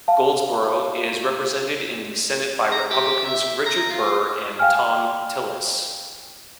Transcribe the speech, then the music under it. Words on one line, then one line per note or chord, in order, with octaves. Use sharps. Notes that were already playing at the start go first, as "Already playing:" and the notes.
Goldsboro is represented in the Senate by Republicans Richard Burr and Thom Tillis.
F5 A5
A#5
G4
E5
A#5
F4
F5 G5 G#5 F6